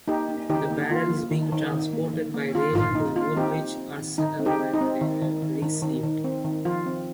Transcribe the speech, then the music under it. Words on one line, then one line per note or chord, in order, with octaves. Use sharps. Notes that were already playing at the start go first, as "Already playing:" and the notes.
The barrels being transported by rail to Woolwich Arsenal where they were re-sleeved.
A#3 D#4 G4
A#3
D#3 D#4 G4
A#3
A#3 F4
A#3
D#3
D#3
D#3
A#3
D#3
A#3
D#3 F4
D#3 F4
A#3 D#4
A#3 F4
C4 D#4 G4
C4
C4
D#3
D#3 D#4
C4
D#4 G4
C4
D#4
C4
D#3
D#3
D#3
D#3
D#3
D#3
C4
D#3
F3 F4
C4